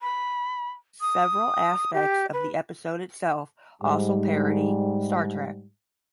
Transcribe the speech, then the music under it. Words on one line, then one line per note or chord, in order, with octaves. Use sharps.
Several aspects of the episode itself also parody "Star Trek".
B5
D#6
G4
B4
G#2 G3